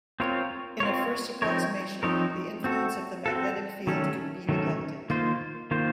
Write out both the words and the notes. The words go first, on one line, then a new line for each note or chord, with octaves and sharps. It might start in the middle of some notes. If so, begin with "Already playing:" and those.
In a first approximation, the influence of the magnetic field can be neglected.
C4 F4 A#4 C#5
C4 F4 A#4 C#5
F3 C4 D#4 A#4 C#5
F3 C4 D#4 A#4 C#5
C4 F#4 A4
C4 F#4 A4
D#3 F#3 A3 C#4 A4
D#3 F#3 A3 C#4 A4
D#3 A#3 F4 C5
D#3 A#3 F4 C5